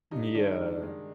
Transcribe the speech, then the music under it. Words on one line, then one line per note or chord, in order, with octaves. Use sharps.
M yeah.
G2 D#4
D#3 G#3 D4
G2 D#4
D#3 G#3